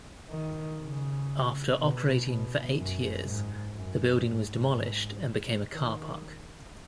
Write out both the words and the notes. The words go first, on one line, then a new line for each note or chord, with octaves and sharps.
After operating for eight years, the building was demolished and became a carpark.
D#3
C#3
B2
B2
F#2
G#2
F#2
G#2
G#2
D#3